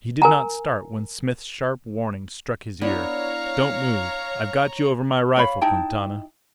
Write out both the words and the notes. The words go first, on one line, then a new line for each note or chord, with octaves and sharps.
He did not start when Smith's sharp warning struck his ear: "Don't move! I've got you over my rifle, Quintana!"
A#4 G#5 A#5
B3 D4 E4 C#5 F5 A#5
C#5 F5 B5
D#4 E4 G5 A5